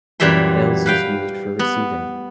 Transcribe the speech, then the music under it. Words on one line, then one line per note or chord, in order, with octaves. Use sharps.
Bell's is used for receiving.
F#2 A#2 E3 G3 E5 C6
B4 F5 G5
B3